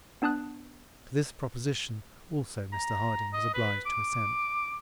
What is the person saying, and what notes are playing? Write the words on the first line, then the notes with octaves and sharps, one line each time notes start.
To this proposition also Mr Harding was obliged to assent.
B3 D4 A5 D#6 F#6
A#5
D#5
B4
D6